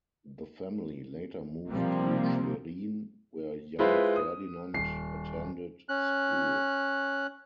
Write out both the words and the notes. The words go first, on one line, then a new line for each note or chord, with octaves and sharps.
The family later moved to Schwerin, where young Ferdinand attended school.
C3 F3 G3 A#3 C4
G#3 E4 F4 B4 C5
D#6
D#1 C7
C#4 F#6